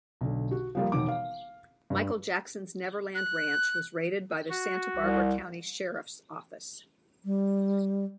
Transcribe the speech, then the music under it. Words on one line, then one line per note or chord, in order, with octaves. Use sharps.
Michael Jackson's Neverland Ranch was raided by the Santa Barbara County Sheriff's Office.
B1 D3
F#4
F3 G3 A#3
E1 D#3 D6
F5
G2
F#6
F#4
C2
G3